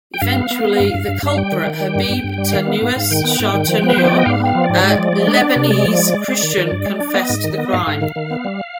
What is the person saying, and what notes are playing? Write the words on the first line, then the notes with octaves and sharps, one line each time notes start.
Eventually, the culprit, Habib Tanious Shartouni, a Lebanese Christian, confessed to the crime.
G5
G2 F5
B3
B3
B3
G2
G2
G2
G2 F5
G3 G5
D#3
D#3
G3
G2
G2
G2
G3
D#3 F5
B3
G#2
G#2
D#3 G5
B3
G#2
D#3
F3
B3
B4
F3 C5
D5
B3 D#5
G#2 F5
B3
F5
F3
G#2 D5
G#3
F3
G#3
D4
D#5
D4 D5
C3
G#3 D5
F3
G#3
G#3
G#3
D#3
D#3
G2
G#3
D4
B3 D#5
G#2
D#3
B3
G#2 F5
G#2
D#3
D#3
B3
G3